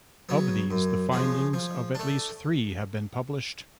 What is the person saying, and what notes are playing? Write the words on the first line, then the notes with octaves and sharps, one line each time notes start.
Of these, the findings of at least three have been published.
C#3 F#3 B3
F#2
C#3 F3 G#3
F3
A3 D4